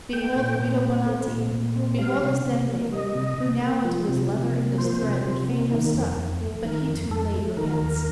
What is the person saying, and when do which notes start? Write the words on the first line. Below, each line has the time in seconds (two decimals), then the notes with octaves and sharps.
Behold Guido Bonatti, behold Asdente, Who now unto his leather and his thread Would fain have stuck, but he too late repents.
0.13 A3 G5
0.36 A#2
0.60 A#2
0.82 C4
1.06 A3
1.29 A#2
1.53 A#2
1.76 C4
1.99 G3 F5
2.22 C3
2.45 C3
2.69 A#3
2.92 G3 D#5
3.15 C3
3.38 C3
3.62 A#3
3.85 F3
4.09 C3
4.32 C3
4.55 A#3
4.78 F3 C5
5.02 C3
5.25 C3
5.49 A#3
5.72 D#3
5.94 F2
6.18 F2
6.41 A3
6.65 D#3 A#4
6.87 F2
7.10 F2 A4
7.34 A3
7.57 D#3 A#4
7.81 D#2